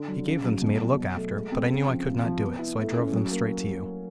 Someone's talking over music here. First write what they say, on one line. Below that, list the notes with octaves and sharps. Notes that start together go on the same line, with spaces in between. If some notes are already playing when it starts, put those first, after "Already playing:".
'He gave them to me to look after, but I knew I could not do it, so I drove them straight to you.
Already playing: D3 D4
F#3
C#3
F#3
B2
F#3
F#3
A3
G#3
C4
C#3
F3
C3
F3
B3
E4
A3
C#4
F#3
A#3